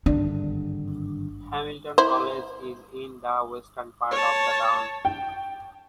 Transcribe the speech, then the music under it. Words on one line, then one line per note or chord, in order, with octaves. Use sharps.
Hamilton College is in the western part of the town.
G#1 G2 D3 D4
E4 C5
C#5 A5
G5